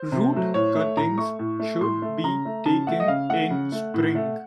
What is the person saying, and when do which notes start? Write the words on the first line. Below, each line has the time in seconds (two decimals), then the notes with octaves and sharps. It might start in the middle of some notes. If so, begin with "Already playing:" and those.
Root cuttings should be taken in spring.
Already playing: C5
0.12 C3
0.33 F#3 A3
0.54 A2 C#5
0.75 A3
0.97 A2 A#5
1.18 A3 C#6
1.39 A2
1.60 A3
1.81 A2 C6
2.02 A3
2.24 C#3 A#5
2.45 A3
2.66 C#3 A5
2.87 A3 F#5
3.00 D#5
3.08 C#3 F5
3.29 A3 F#5
3.50 C#3
3.72 A3
3.94 A2
4.15 A3